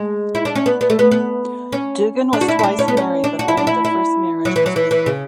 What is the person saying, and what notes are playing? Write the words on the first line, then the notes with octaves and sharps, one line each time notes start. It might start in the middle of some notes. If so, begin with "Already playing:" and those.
Doogan was twice married, but only the first marriage was legal.
Already playing: G#3
E4
D4
C#4
B3
B3
A3
B3
B3
C#4
D4
F#4
E4
E4
D4
C#4
B3
C#4
D4
F#4
E4
D4
E4
E4
F#3
E3
F#3
E3
E3
C#3